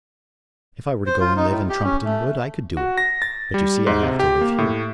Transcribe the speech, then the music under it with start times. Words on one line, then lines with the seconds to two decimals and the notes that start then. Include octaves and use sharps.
If I were to go and live in Trumpeton Wood I could do it; but you see I have to live here.
1.06 C5
1.20 F4
1.36 D#4
1.49 A2
1.69 G4
1.84 C#4
2.04 A3
2.77 F#4
2.98 A#6
3.22 A6
3.54 G3
3.87 G#2
4.03 C3
4.19 G4
4.41 A#3
4.58 A2